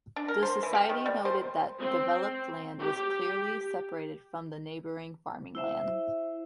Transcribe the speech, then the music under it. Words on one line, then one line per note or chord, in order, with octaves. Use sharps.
The Society noted that developed land was clearly separated from the neighboring farming land.
D4
A#4
C5
E3
G4
D#3
G3
C5
C4
G4
E4 C5 E5